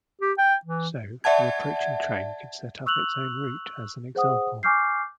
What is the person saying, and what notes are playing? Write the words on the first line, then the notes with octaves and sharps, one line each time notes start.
So, an approaching train could set up its own route, as an example.
G4
G5
E3
D5 E5 F#5 A5 G#6
C#6 E6 F#6 F7 F#7
G#4 C5 F#5 D#6
G#5 C#6 D6 F6 G6 C7